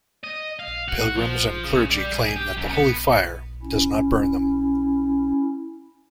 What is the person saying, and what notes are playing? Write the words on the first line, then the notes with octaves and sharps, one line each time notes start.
Pilgrims and clergy claim that the Holy Fire does not burn them.
D#5
F5
F#4
F3
C#3
G3
G#4
G4
F#2
B3
C#4 E4